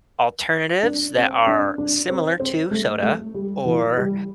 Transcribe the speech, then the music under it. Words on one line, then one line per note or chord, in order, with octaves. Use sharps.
alternatives that are similar to soda or
D4
C4
D4
D4
C4
C4
A3
A3
G3
E3
G3